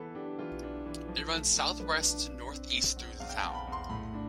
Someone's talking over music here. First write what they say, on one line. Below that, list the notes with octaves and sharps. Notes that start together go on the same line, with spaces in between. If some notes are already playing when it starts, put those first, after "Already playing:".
It runs southwest to northeast through the town.
Already playing: E3 B3 A4 B4
D4 G4
E3 F4
D4
E3
F3
A3
D4
F3 B4
D4
D4
C4
C4
E2
E2 F5
G5
A5
E2
B5
E2
C6
A2 B5
D4